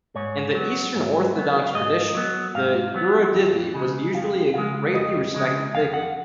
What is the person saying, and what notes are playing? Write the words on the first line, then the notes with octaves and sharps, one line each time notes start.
In the Eastern Orthodox tradition the "yurodivy" was usually a greatly respected figure.
G#2 C#5
F#3 B3
G#2
F#3 B3
F5
G#2 D#5
F#3 B3
G#2 F5
F#3 B3
F2
C#3 G#3
F2 F5
C#3 G#3 F5
F2 D#5
C#3 G#3
F2 F5
F#5